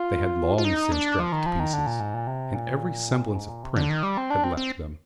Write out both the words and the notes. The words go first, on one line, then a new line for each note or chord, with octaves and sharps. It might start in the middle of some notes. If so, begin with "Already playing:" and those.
They had long since dropped to pieces, and every semblance of print had left them.
Already playing: F4
F4
D#4
D4
F3
D#3
F3
D#3
D3
A#2
G#2
A#2
C3
A#2
G#2
A#2
C3
D3
D#3
G3
C4
D4
C4
C4